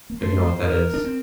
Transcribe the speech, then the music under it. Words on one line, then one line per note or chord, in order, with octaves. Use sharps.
if you know what that is.
A#3
A3 C5
A#4
D4
C4